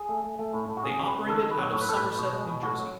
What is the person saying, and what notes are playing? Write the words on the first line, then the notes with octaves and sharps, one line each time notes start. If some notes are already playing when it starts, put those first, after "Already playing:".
They operated out of Somerset, New Jersey.
Already playing: G#4
A3
A3
A3
A2
A2
F#4
C#3 G#4
C#3
B4
C#3
D#3 A4
D#3
B4
F#3
A2 C#5
B4
A2 A4
B4
A2
B2
G#3
B2
A2 F#4
F#3